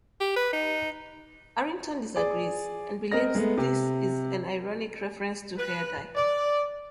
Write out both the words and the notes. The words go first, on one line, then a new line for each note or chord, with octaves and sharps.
Harrington disagrees, and believes this is an ironic reference to hair dye.
G4
B4
D#4
G#4 D5
C4 A#4 D#5 A#6
G#3 A3 B3
C3
B4
D5